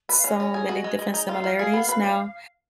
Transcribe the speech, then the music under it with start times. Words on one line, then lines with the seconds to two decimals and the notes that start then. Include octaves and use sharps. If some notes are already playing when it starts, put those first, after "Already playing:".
so many different similarities now.
0.09 B4 D#5
0.18 F5
0.24 C#4
0.29 D#5
0.40 C#4
0.54 G#4
0.69 F#4
0.84 G#3
0.99 G#3
1.14 D#4
1.29 F4 F5
1.44 F3
1.59 G#4
1.74 B3
1.89 B4
2.04 C#4